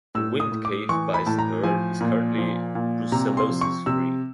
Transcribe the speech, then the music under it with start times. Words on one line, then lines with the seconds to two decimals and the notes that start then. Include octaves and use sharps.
The Wind Cave bison herd is currently brucellosis-free.
0.15 A2 E6
0.40 D#6
0.52 A2
0.65 D6
0.89 E3 C#6
1.14 B5
1.26 A2 A5
1.39 A#5
1.63 F3 G#5
2.01 A#2
2.38 F3
2.75 A#2
3.12 C3 A#5
3.37 C6
3.50 F3
3.61 C#6
3.86 C3 E6